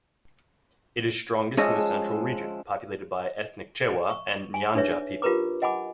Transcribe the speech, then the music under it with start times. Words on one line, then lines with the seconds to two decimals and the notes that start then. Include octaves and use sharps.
It is strongest in the central region, populated by ethnic Chewa and Nyanja people.
1.57 F3 G#3 C#4 G#4 D#5 E5
4.10 C#6
4.54 G#5
4.75 D4 D#4 G#4 B4 C#5 E5
5.22 F4 G4 A#4 B4 A#5 D6
5.62 D#5 F#5 G#5 B5 D6